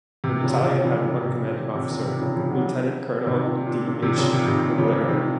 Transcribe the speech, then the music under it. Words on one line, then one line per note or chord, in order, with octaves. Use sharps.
The battalion had one commanding officer: Lieutenant-Colonel D. H. MacLaren.
C3
A#2 C#3
C3
A#2 C#3
C#3 F3
C#3 F3
C3
A#2
C3
C3
A#2 C#3
C3 D#3
C#3 F3
C#3 F3
D#3 F#3
C3 D#3
A#2
A#2
A#2
C3
A#2 C#3
C3
C3 D#3
C#3 F3
C3 D#3